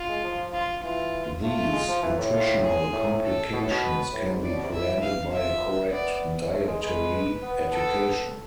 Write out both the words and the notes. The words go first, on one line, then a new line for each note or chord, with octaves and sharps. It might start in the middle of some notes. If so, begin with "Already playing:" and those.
These nutritional complications can be prevented by a correct dietary education.
Already playing: F4
G#3
F3
F4
E3 F4
A3 F4
A3
G#3
F3
E3
A2
A2 F4
G#4
A2
A4
B2
A2
B2
B4
A2
G#2
A2 D5
B2
C3
E3 E5
F5
F3 E5
B3 D5
A3
G#3
G#3 B4
B3
A4